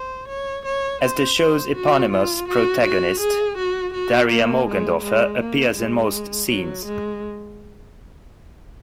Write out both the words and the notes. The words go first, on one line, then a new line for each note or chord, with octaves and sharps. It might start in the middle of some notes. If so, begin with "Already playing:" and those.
As the show's eponymous protagonist, Daria Morgendorffer appears in most scenes.
Already playing: C5
C#5
C#5
C5
C5
F#4
F4
F#4
F#4
G#4
F#4
F#4
A#3
G#3
G#3
A#3
G#3
F#3
G#3